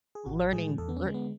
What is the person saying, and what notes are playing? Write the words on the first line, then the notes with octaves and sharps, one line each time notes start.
learning lear
G#4
A1 F#4
A2 E3 G#3 G#4
E2 A4
B3
C#4
D3 G#3
B3